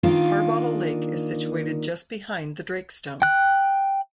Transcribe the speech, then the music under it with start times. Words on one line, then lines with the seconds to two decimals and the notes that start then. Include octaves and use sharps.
Harbottle Lake is situated just behind the Drake Stone.
0.03 D#3 A#3 D4 D#4 F4
3.22 G5 F#6